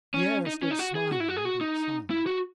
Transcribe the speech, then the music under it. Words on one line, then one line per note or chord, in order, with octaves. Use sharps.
Pierre stood smiling but silent.
C#4
D#4
C#4
D#4
F#4
G#4
F#4
E4
F#4
G#4
F#4
D#4
E4
F#4